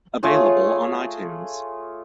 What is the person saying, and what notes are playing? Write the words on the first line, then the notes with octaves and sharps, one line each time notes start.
Available on iTunes.
A3 F4 G#4 C#5